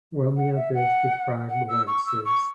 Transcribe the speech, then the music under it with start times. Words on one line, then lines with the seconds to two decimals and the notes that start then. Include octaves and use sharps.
Romeo goes to Friar Lawrence's.
0.36 F#5
0.55 E5
0.74 F#5
1.49 F#5
1.68 E6
1.87 C#6
2.06 E6
2.25 C#6